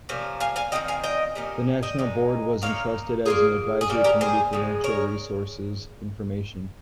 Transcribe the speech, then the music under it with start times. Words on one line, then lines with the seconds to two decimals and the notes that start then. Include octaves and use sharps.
The national board was entrusted as an advisory committee for natural resources information.
0.09 C3 F3 A#3 C#4
0.40 F5 G#5
0.56 F5 G#5
0.72 D#3 G#3 C4 F4 D#5 G5
0.88 F5 G#5
1.04 D#5 G5
1.35 C3 F3 A#3 C#4
1.83 D#5 G5
1.98 A#2 G#3 D#4
2.62 D#3 A#3 D#4 C#5 F5
3.26 C#3 G3 A#3 F4 G#4
3.81 G#4
3.89 C#3 G3 A#3 C#4 G4
4.04 G4 A#4
4.21 G#4 C5
4.53 C#3 F3 G#3
4.84 A#4 C#5